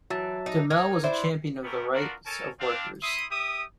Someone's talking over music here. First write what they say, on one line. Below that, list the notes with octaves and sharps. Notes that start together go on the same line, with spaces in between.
Dehmel was a champion of the rights of workers.
E3 F#3 E5 A5
D#4
D#4 A#4 G#6
D4 E4 C5
A3 B3 C#4 G4 A4 A#4
B3 D4 F4 F#4 A#4
A4 A#4 C#5 G#5 A5
C4 D4 F5
E4 E5 C6 D#6
G4 E5 D#6